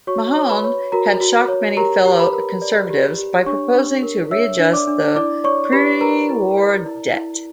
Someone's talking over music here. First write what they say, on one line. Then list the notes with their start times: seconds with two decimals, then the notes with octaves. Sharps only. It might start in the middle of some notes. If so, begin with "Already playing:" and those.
Mahone had shocked many fellow Conservatives by proposing to readjust the prewar debt.
0.07 F#4 C#5 C#6
0.36 C#5
0.50 B4 B5
0.64 C#5
0.92 F#4 A#4 A#5
1.21 F#4
1.48 C#5
1.77 G4 A#4 A#5
2.05 G4
2.19 B4 B5
2.34 A#4
2.62 D5
2.90 G4
3.19 G4
3.46 D4 C#5 C#6
3.75 D4
4.03 A#4
4.31 C#5 E5 E6
4.59 D4
4.73 D5 D6
4.88 D4
5.16 E4 D5 D6
5.44 C#5 D5 C#6
5.73 G4 B4 B5
6.01 A#4 B4 A#5
6.30 E4
6.57 D5
6.86 E4
7.14 E4